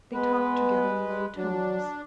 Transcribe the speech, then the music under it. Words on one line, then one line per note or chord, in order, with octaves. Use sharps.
They talked together in low tones.
G#3 B3 B4
F#3 D4